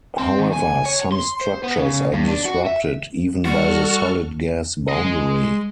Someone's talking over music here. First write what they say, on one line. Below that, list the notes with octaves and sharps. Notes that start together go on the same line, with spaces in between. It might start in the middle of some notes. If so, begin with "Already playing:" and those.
However, some structures are disrupted even by the solid-gas boundary.
C4
D#3
G#5
C#5
C6
C5
B3
C#3
G2
D4
F#4
E5
G3 F#4 A4 C#6 F6
G#3 D#5